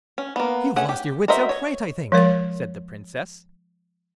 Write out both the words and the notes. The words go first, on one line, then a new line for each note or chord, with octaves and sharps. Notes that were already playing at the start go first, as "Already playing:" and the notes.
'You've lost your wits outright, I think', said the Princess.
C#4
A#3 B3
A3 C#4 G#4 F#5
G4
F#4 A#4 C5 D#5 E5
C#5 D#5
F3 G#3 A#4 C#5